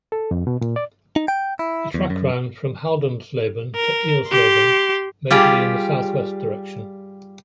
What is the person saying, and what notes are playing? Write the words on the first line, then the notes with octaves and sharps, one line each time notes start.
The track ran from Haldensleben to Eilsleben, majorly in the south-western direction.
A4
F2
B2
A#2
D5
D#4
G5
E4
E2
F#2
A#4
G4 C6
G3 F4 G4 G#4